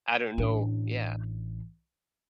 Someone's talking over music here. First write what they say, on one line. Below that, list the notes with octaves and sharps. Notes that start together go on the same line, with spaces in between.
I don't know yeah.
A1 D4